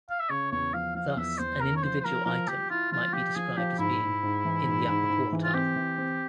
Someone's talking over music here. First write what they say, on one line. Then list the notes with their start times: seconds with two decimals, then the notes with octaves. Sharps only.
Thus an individual item might be described as being "in the upper quartile".
0.10 F5
0.20 E5
0.29 C#3 C#5
0.52 E2 C#5
0.74 F3 F5
0.95 F3 F5
1.09 F5
1.17 E2 E5
1.39 E2 C5
1.61 C#3 A#4
1.76 C#5
1.83 F3 C5
2.01 C5
2.05 F3 A#4
2.26 F3 A#4
2.48 F3 G4
2.70 E4 F4
2.92 F3 F4
3.13 F3 G4
3.36 F3 G#4
3.57 F3 G4
3.79 G#2 E4
4.02 G#2
4.23 G#2
4.45 E3
4.66 G#2
4.89 G#2
5.10 G#2
5.33 E3
5.44 F4
5.54 C4 G4
5.76 E3
5.98 C4